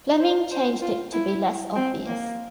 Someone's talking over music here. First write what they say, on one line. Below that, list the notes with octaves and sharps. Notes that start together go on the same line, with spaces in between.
Fleming changed it to be less obvious.
C5
C5
F4
E4
C4
A#3